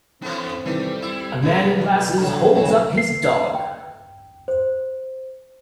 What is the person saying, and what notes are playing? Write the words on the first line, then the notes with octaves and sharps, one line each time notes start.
A man in glasses holds up his dog.
E3 A3 B3 C4 D4 C#5
C3 D#3 E3 G3 A3
E4 E6
B1 C#3 A3 B4 G#6
D3 F#3 C#5 A#5
C#2 D#3 A3 C4 G#4 C#5
C7
B4
G5
C5